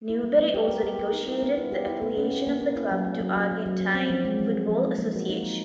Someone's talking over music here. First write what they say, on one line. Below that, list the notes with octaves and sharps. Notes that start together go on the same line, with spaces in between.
Newbery also negotiated the affiliation of the club to Argentine Football Association.
E4
G3
B3
G4
A#4
G4
A#4
D#4
E4
B3
E4
G4
E4
B3
C#4
C#4
A#3
C#4
E4
F#3
A3
F#3
F#3
F#3
F#3
F#3
C4
F3
G#3
G#3
C4
F3
D#4
A#3
F#4
D#4
A#3